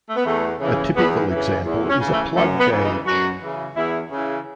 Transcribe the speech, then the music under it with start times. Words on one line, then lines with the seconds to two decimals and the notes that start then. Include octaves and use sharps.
A typical example is a plug gauge.
0.08 A3
0.16 B3
0.25 E2 A3
0.60 C#3 E3
0.96 E2 B3
1.31 C#3 E3
1.65 E2
1.90 C#4
2.01 C#3 E3
2.13 A3
2.36 F#2 A3
2.59 B3
2.71 C#3 E3
2.83 D#4
3.06 F#2 F#4
3.41 C#3 E3
3.76 E2 E4
4.11 C#3 E3